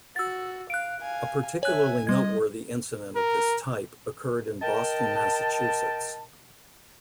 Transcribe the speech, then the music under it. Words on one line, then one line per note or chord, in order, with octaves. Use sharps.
A particularly noteworthy incident of this type occurred in Boston, Massachusetts.
F#4 E6 A6
F5 F#6 D7
F5 G#5
C#5 E5 G#5 F#6
G3 D#5 G#6
A#4
A#4 D#5 G5 A5